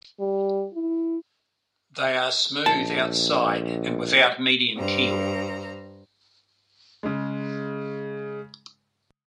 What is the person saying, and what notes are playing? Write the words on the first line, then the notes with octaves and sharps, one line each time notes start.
They are smooth outside and without median keel.
G3
E4
A#1 A5
G2 C5 A#5
C#3 G#3